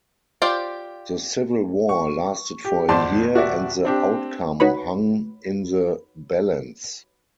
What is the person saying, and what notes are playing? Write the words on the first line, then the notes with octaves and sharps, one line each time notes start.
The civil war lasted for a year and the outcome hung in the balance.
F4 G4 C5 D5
C#6
G4
G#1 F2 C5 D5 A5 C6
D#1 F#4 D5 E5
C4 D4 G4
D#4 F#4 B4 C#5 B5